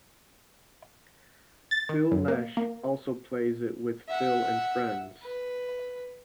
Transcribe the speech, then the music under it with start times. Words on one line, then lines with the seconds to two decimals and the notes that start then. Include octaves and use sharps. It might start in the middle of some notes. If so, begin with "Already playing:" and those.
Phil Lesh also plays it with Phil and Friends.
1.71 A6
1.89 D#3
2.11 F#2
2.28 A#3
2.57 A#3
4.09 E5 F#5
5.23 B4